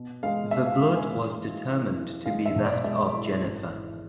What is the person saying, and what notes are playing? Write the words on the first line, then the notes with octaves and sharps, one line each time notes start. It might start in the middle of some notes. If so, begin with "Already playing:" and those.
The blood was determined to be that of Jennifer.
Already playing: B2
G#3 F5
B2 E5
F5
G#3 F5
G#5
E3 F5
E3
E3
E3
G#3 F5
E5
B1
D5
G#3 E5
A2
G#1
E3